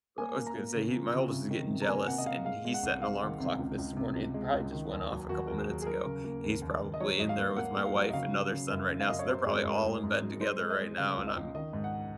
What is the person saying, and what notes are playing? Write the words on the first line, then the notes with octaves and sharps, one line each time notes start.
I w was gonna say, he my oldest is getting jealous, and he set an alarm clock this morning it probably just went off a couple minutes ago, and he's probably in there with my wife and other son right now, so they're probably all in bed together right now, and I'm
A#3 G#5
A#3
A#5
A#3
C#3
F3
C#3
C3
D#3
C3
A#5
A#3 G#5
C3 F#5
D#5
A#3 F5
G#3 F5
G#3
F#5
C2
G#3 F5
D#3
C3
C#2
C#2
C3
C#2
G#3
C#2
D#3
D#2
F#3
D#2 F#4
D#2 A#4
G#4
F#3
G#4
F#3 A#4
C#3
A#3
D#2
D#2
D#2
D#5
F#3 C#5
G#2 D#5
F5
A#3
A#3 F#5
A#3
F5
F#3
D#5
C#3 F5
F#3
C#3
F#2
F#2
F5
F#2 D#5
C#5
F#3 C5
G#2 G#4
G#2 A#4
G#2
G#2
F#3
G#3 C5
G#3
D#5
G#3
C#3 F5
C#2
D#5
C#2
D#3 D#5
G#2
F#5